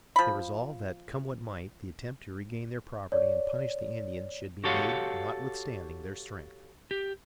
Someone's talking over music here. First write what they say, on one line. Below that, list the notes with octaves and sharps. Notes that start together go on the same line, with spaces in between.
They resolved that come what might the attempt to regain their property and punish the Indians should be made notwithstanding their strength.
F3 B5
C#5 D5
F#4 G4 A4 C#5 F5 F#5
G4